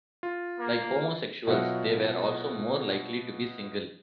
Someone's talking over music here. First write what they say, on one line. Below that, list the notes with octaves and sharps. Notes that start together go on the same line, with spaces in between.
Like homosexuals, they were also more likely to be single.
F4
A#3
B2 F#3 F4 E5 F#5